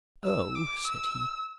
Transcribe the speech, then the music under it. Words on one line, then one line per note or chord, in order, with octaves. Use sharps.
"Oh!" said he.
E6
D6
E6